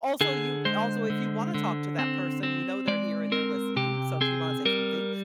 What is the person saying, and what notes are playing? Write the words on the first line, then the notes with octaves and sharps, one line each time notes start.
also, you c also, if you wanna talk to that person, you know they're here and they're listening, so if you wanna say something,
D3 G#4
G#3 C5
D3
D3
C4
C4
G#3 D5
C4 A#4
C3 G4
C4 G#4
G3 A#4